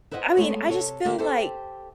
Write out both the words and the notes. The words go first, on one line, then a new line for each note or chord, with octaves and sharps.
I mean, I just feel like
E4 B4 C5 D#5 F5 F#5
G#3 A3 B3 C#5
C3 A4 C#5
D3 A#3 G4 E5
G4 A4 C5 E5 G5